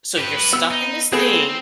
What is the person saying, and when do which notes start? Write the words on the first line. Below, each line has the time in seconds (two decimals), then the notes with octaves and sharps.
So you're stuck in this thing
0.18 G4 B4
0.53 B3 E6
0.71 D#4
1.12 A3 B3 C4 G#4